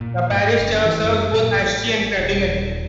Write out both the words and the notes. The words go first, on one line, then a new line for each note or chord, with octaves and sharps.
The parish church serves both Aeschi and Krattigen.
A#2
G#2
F#1
E3
F#2
A#2
A1
D#1